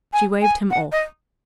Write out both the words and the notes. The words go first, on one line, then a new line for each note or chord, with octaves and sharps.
She waved him off.
G#5
G#5
F#5
D#5